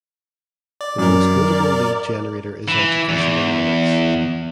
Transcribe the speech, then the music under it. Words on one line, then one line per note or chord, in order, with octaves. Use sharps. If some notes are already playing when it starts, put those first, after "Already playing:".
The most notable lead generator is Education Dynamics.
D5
F#2 A#4 D5
E3
E2